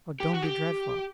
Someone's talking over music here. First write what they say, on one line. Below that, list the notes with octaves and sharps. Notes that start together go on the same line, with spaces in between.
Oh, don't be dreadful!'
G4
F#4
G4